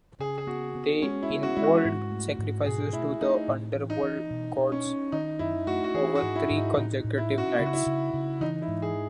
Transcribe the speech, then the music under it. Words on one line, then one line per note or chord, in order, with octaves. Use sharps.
They involved sacrifices to the underworld gods over three consecutive nights.
C#3 G#4
G#4
B3 F#4
B3
G#3 C#4
E4
B3
F#4
G#3 E4
F#4
G#2
A3
G#2
B2 G#4
A3 E4
A3 D#4
A2
E3
D#4
E3
B2
B2
C#4
C#4
D#3 D#4
F#2 E4
A3 F#4
F#4
E3 G#4
F#4
G#2
E4
G#2
D#4
A2 D#4
A2
E4
C#4
F#4
C#3 E4
F#4
E4
C#3
C#3
E3 D#4
E4
G#2
G#4